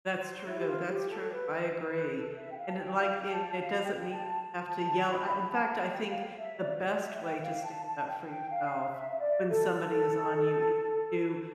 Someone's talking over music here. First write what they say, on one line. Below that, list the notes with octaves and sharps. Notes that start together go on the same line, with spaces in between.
That's true, that's true, I agree, and it, like, and it doesn't mean you have to yell, ah in fact, I think the best way to stand up for yourself when somebody is on you is to
C5
E4
G4
F4
G4
A4
B4
B4
A4
E5
G5
F5
A5
G5
F5
A5
F5
G5
A5
A5
B5
A5
G5
F5
E5
D5
C5
D5
E5
G5
F5
A5
A5
G5
G5
F5
F5
E5
E5
D5
A4